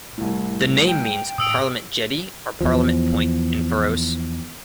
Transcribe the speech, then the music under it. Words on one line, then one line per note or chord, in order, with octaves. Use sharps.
The name means "parliament jetty" or "parliament point" in Faroese.
C2 A2
G5
A2 D#6 E6 D7
E2 F3